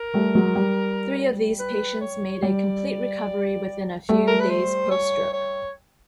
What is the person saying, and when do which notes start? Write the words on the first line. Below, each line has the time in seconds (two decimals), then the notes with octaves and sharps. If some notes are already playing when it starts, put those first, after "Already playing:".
Three of these patients made a complete recovery within a few days post-stroke.
Already playing: A#4
0.14 G3 A3
0.35 F#3 G#3
0.56 G3
1.60 B4
2.01 C#5
2.42 G3 D5
4.09 G3 A3
4.27 A#4
4.40 B4
4.50 C5
4.91 C#5
5.33 C#5